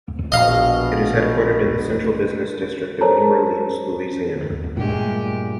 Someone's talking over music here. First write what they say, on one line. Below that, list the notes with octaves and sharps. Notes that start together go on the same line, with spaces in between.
It is headquartered in the Central Business District of New Orleans, Louisiana.
A#1 B2 D#5 F5
A4 A#4 C5 C#5 A5 A#5
G2 A#2 G#3 A3 G4